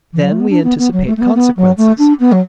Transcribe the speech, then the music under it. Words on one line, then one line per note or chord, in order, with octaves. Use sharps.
Then we anticipate consequences.
E3
F#3
A3
B3
D4
B3
B3
F#3
A3
A3
B3
B3
F#3
A3
D4
B3
F#3